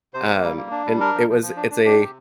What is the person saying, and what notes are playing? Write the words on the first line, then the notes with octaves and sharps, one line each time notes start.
Um, and it was it's a
C3 C5
A#3
G3
A#3
D4
G3
D4 A#4
F3
F3
F3
D4
D4
D4 G4
C3